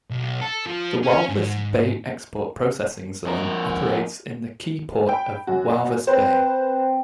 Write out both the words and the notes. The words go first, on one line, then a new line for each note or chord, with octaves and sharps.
The Walvis Bay Export Processing Zone operates in the key port of Walvis Bay.
B1
A4
F3
C#4
G#2
F2 A#4
G5 B5
F#2 F#4
C4 B4 C5 G5